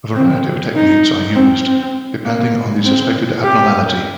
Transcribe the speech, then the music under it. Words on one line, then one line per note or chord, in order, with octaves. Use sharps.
A variety of techniques are used, depending on the suspected abnormality.
C4
D#4
C4
C4
A#3
C4
G4